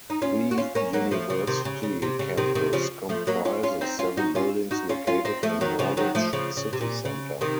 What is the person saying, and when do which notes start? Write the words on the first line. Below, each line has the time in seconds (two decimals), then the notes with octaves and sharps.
The university campus comprises seven buildings located in Norwich city centre.
0.10 D#4
0.22 C#4 F4
0.51 F#4
0.58 C#4 F4
0.75 A#3 C#4
0.93 F#3 A#3
1.11 F3 A3
1.30 C#3 F3
1.47 C3 D#3
1.65 C#3
1.83 C#3
2.02 C3
2.19 C#3
2.37 C3 D#3
2.55 C3 D#3
2.73 C#3 F3
3.09 F3 A3
3.27 F#3 A#3
3.45 C#4 F4
3.63 C#4 F4
3.81 C4 D#4
3.99 C#4 F4
4.17 D#4 F#4
4.35 C#4 F4
4.71 D#4 F#4
4.89 C#4 F4
5.07 C#4 F4
5.25 C4 D#4
5.43 F3 A3
5.61 D#3 F#3
5.79 C#3 F3
5.97 D#3 F#3
6.15 F3 A3
6.33 C#3 F3
6.57 C#3
6.73 C3
6.81 A#2
7.05 C#3
7.41 C3 D#3